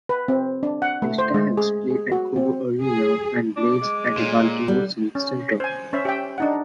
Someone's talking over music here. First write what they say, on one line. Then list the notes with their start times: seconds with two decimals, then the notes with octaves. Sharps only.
The Stags played at Cobo Arena, and the Blades at the Baltimore Civic Center.
0.09 B4
0.28 C4
0.63 D4
0.82 F#5
1.02 A3
1.18 C5
1.34 G#3
1.57 G#4
1.90 G#4
2.12 F#4
2.36 C4
2.83 G#4
3.56 D4 D6
3.82 G#3
4.17 A#2 A4 C#5 F5
4.68 G3 D#4 A4 F#5
5.15 C#4
5.60 C5 G#5
5.93 C#4 C5 E5
6.05 G4 E5 G5
6.38 D4 D#4 F#5